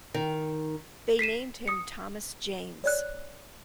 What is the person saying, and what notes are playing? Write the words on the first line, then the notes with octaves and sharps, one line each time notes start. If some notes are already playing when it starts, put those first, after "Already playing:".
They named him Thomas James.
D#3
B6 C7 D#7 E7
D#6 C#7
C#5 D5 F#6